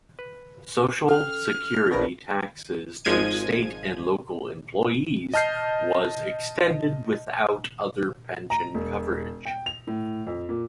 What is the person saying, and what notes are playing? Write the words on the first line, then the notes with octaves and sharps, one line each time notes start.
Social security taxes to state and local employees was extended without other pension coverage.
B4
C#4 A4 F6
A#1 B2 D4 A#4 B4
G#1 F3 G#3 G#6 D#7
D#5 A5 F6 G6 C7
A#5
E1
G5
F7
A2
F2
A#2